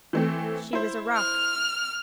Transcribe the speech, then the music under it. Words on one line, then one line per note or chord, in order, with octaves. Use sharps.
She was a rock.
E3 A3 C4
E4 C5
F6